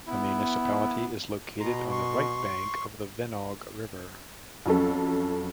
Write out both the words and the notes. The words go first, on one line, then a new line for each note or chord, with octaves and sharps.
The municipality is located on the right bank of the Venoge river.
B3 E4
B2 A#5 C6
C6 C#6
F2 F#3 C#4 A4